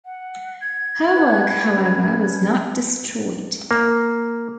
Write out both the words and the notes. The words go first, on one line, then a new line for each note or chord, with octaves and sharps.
Her work however was not destroyed.
F#5
G#6
B4 F#5 A5
C#3
A#3